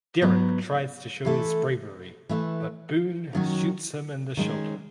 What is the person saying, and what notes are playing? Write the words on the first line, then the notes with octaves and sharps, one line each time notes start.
Derrick tries to show his bravery but Boon shoots him in the shoulder.
G#2 F#3 B3
E3 A3 E4 A4
E3 A3 E4 B4 E5
F#2 D#3 F#3 C#4 F#4
D#3 G#3 C#4 G#4